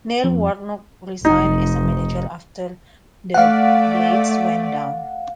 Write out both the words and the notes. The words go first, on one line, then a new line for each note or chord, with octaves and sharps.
Neil Warnock resigned as manager after the Blades went down.
F2
F1 D#4
A3 D5 F5 F#5